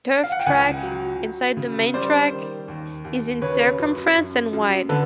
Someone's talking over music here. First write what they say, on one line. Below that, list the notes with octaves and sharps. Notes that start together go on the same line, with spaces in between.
A turf track, inside the main track, is in circumference and wide.
F5
F#5
G5
C#2 F#5 G#5
F#3
F#3
C#3
G3 C5 D5
D#3
D#2
D#2
C#3 B4 C#5
F#2
F#2
F#2
D3 A4 B4